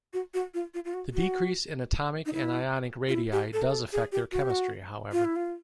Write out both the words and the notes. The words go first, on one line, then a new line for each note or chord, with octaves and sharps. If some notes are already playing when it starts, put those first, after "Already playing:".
The decrease in atomic and ionic radii does affect their chemistry, however.
F#4
F#4
F4
F4
F4
F#4
F#4
D#4
E4
F4
E4
G4
A4
A#4
A4
G#4
G4
F#4
G4
F#4
F4
E4
F4